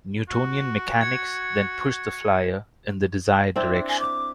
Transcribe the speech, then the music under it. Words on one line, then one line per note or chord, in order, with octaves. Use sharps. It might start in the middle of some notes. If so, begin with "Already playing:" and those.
Newtonian mechanics then push the flyer in the desired direction.
F#4
G#6 C#7
C4 D4 E4
G#5
D6